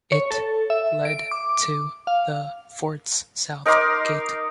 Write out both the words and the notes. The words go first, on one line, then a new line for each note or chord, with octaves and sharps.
It led to the fort's south gate.
C#5
A4
E5
D7
D6
F5
D#4 A#4 C6 D6